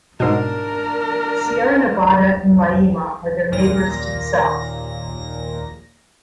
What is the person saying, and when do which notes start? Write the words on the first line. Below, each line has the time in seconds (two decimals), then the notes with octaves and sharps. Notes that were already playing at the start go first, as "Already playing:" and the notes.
Sierra Nevada and Llaima are their neighbors to the south.
0.20 G#2 B2 D4 A#4
3.52 D#2 A#2 A#3 A#6